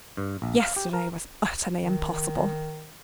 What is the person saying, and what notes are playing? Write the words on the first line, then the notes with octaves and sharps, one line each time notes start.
Yesterday was utterly impossible.
G2
A#1
F5
G4
A#4
D#3